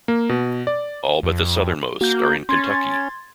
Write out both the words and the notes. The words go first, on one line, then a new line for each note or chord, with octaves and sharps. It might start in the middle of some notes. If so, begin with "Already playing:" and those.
All but the southernmost are in Kentucky.
A#3
B2
D5
F2
A#3 F#4 G6
C#4 C6 G#6 A6